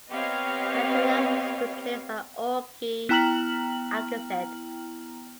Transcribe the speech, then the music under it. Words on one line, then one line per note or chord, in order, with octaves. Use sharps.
Madela was replaced by Ogie Alcasid.
B3 C4 G4 C#5 D#5 F5
B3 E4 G5 A#5 F6 F#7